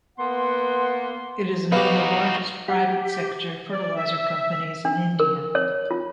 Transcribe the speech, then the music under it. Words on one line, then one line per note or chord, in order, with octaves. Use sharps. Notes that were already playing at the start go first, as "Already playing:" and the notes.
It is among the largest private sector fertiliser companies in India.
A#3 B3 F#5 C6
B3 D#4 F#4 G4 F5
G4 F#5
D5
E5
D4
A#4
C#5
F4